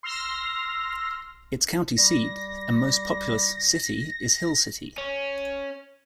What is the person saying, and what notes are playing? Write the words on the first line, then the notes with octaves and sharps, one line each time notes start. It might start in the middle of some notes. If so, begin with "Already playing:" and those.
Its county seat and most populous city is Hill City.
C6 E6 F6 A#6
G3 A#6
C#4